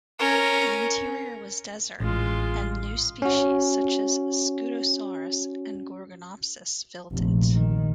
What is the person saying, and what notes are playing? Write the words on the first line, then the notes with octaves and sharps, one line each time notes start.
The interior was desert, and new species such as Scutosaurus and Gorgonopsids filled it.
C#4 A#4
A1 G#3 F4
C#4 F#4
F1 A#1
D#3